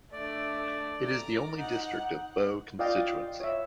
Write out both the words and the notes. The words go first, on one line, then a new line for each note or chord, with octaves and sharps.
It is the only district of Boe Constituency.
A3 D4 D5
A#5 D6
D#4 F#5
F4 D5 D#5 F5 G5
C#5 E5